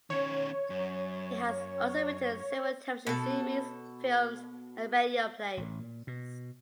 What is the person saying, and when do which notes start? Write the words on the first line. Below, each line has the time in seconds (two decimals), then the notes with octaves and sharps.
He has also written several television series, films and radio plays.
0.10 D#3 C#4 C#5
0.70 F#2
3.07 B2 A4
5.57 A1
5.79 A#2
6.07 B2